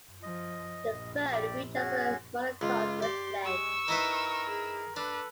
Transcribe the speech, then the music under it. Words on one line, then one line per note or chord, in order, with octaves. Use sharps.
The phone features a monochrome display.
F3 D#5
A#1
G4 D5
C#4 F#4 G#4
C#2 F4
G4 D5 C6
G#3 C#6 E6
D#4 E4 A#4 B4
G#4
D4 A4 B4